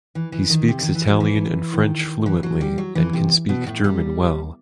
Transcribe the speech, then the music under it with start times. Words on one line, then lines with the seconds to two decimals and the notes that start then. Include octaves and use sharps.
He speaks Italian and French fluently and can speak German well.
0.15 E3
0.32 E3
0.50 D#3
0.68 C3
0.81 D#3
0.95 E3
1.08 F#3
1.20 E3
1.74 D#3
2.26 E3
2.43 F#3
2.61 G3
2.78 F#3
2.95 E3
3.13 C3
3.49 B2
3.67 A2
3.84 G3